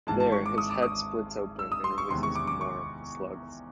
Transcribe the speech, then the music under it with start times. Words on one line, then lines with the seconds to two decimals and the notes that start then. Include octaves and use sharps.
There, his head splits open and releases more of the slugs.
0.07 G#1 G#2 E3 G#3 A5
0.20 A5
0.32 C#6
0.46 D6
0.58 D#6
0.71 D6
0.83 D#6
1.59 E6
1.72 D#6
1.84 C6
1.98 C#6
2.10 E2 C3 D#3 G#3 C6
2.23 C#6
2.35 D6
2.47 D6
2.61 C#6